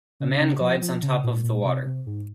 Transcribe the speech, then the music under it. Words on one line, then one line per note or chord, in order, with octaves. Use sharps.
A man glides on top of the water.
C#3
C#3
F3
F3
C#3
A#2
A#2
C3
C3
G#2